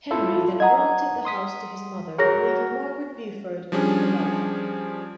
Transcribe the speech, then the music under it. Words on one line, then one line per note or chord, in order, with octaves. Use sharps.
Henry then granted the house to his mother Lady Margaret Beaufort, for life.
E4 F4 A4
D#5 F#5 A#5 D#6 G#6
C6 D#6 B6
F#4 G#4 A#4 C#5 F#5 A#6
F3 G3 C#4 D4 G#4